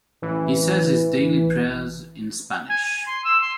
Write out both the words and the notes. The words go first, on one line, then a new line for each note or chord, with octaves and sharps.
He says his daily prayers in Spanish.
A1 E3
G#5
D#7
C6
E6
C6